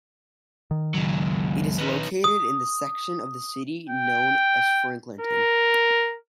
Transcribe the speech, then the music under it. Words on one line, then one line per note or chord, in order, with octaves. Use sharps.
It is located in the section of the city known as Franklinton.
D#3
C#2 F#3
B3 D#4
D#6
G5
A#4